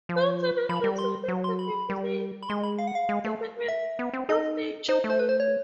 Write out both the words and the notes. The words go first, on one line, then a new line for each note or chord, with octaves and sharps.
Gods are not restricted to definite departments of nature.
F3
F3 B5
G3
C6
F#3
C6
B5
G3
B5
G#3 C6
B5
F5
F#5
F5
G#3
A3
E5
B3
C4
D#4 D#5
D#4 C5
A3
C5
B4
C5
C#5